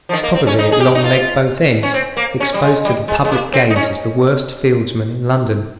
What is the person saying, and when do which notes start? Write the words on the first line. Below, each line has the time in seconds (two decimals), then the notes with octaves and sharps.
Probably at long leg both ends, exposed to the public gaze as the worst fieldsman in London.
0.09 F3
0.13 D#3
0.23 A#3
0.35 C4
0.47 C#4
0.59 D#4
0.72 G#4
0.80 G4
0.95 D#4
1.04 F4
1.83 C#4
1.94 C4
2.17 A#3
2.40 C#4
2.54 G3
2.62 G#3
2.85 G3
3.08 G#3
3.25 G#3
3.31 A#3
3.53 C4
3.70 D#4
3.76 C#4